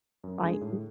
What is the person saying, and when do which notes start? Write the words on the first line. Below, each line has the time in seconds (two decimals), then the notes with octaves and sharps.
like, m
0.24 F#2
0.42 D3 G#3 D4 G#4
0.61 A2